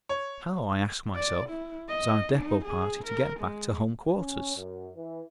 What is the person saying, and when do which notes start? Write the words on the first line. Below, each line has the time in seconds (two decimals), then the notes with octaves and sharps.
How, I ask myself, was our depot party to get back to home quarters?
0.09 C#5
1.15 D5
1.49 E4
1.89 D#5
2.34 D#4
2.65 G#4
3.05 A#4
3.40 G#3
4.18 C#4
4.56 F#2
4.95 E3